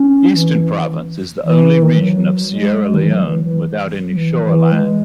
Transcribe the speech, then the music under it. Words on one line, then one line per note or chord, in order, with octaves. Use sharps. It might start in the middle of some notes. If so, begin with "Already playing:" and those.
Eastern Province is the only region of Sierra Leone without any shoreline.
Already playing: C#4
E3
E3
D#3
E3
F#3
F#3
G#3
D#3
E3
F#3
E3
E3
F#3
E3
E3
G#3